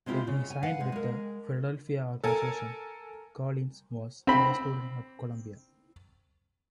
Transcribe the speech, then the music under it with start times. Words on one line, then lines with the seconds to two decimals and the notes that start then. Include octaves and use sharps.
When he signed with the Philadelphia organization, Collins was still a student at Columbia.
0.06 C3 G#3 C4 E4 F4 G4
0.27 C#3
0.50 G#5
0.62 B4 F5 F#5 G#5
0.80 C3 G#3
0.92 G#3 A#4
2.24 A4 A#4 G#5
4.27 C4 B5